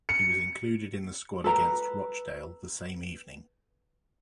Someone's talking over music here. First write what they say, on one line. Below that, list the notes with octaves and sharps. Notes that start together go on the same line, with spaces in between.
He was included in the squad against Rochdale the same evening.
C#7
A4 B4 A#5